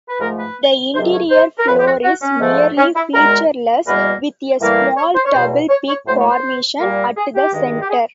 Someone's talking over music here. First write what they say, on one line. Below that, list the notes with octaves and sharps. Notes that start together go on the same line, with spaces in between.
The interior floor is nearly featureless, with a small double-peak formation at the center.
B4
G#2 F3 A3 A#4
B4
C#2 C3 D#3 F#3 A3 C5
C#5
C5
A#4
F2 C#3 F3 B4
G4
F#4
F#4
C#4
G#2 F3 A3
C#4
E4
E2 B2 G#3 A#4
E2 B2 G3 A#3 B4
A2 E3 G3 A#3
C#5
C5
C#5
E2 B2 F#3 C5
C#5
C#5
A2 F#3 A3 C5
C#5
C5
A#2 G3 A#3
G#4
G4
G2 D#3 G#3
G4
G#4